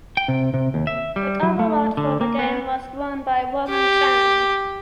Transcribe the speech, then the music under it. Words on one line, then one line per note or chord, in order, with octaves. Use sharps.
The cover art for the game was drawn by Warren Chang.
G5
C3
C3
D#2
E5
G3
F#3
A3
D3
A#3
B3
G4